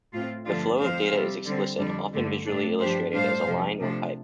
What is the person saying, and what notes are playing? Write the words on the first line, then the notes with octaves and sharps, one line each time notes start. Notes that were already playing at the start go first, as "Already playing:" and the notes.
The flow of data is explicit, often visually illustrated as a line or pipe.
A2 A3 C4 F4
G2 D3 F3 A3 D4 F4
F2 F3 C4 C5 F5
C3 G3 C4
D3 G3 C4
F2 D3 G3 D4
G2 D3 A3
A2 A3 D4
G2 F3 D4 G4 C5
A2 G3 D4 C5 F5
F2 C3 F3
C3 F3 A3 D4